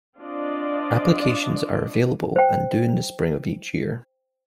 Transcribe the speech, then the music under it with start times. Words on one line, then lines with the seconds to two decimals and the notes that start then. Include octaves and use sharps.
Applications are available and due in the spring of each year.
0.19 C4 D4 F4 D5 D#5
2.36 C5 G5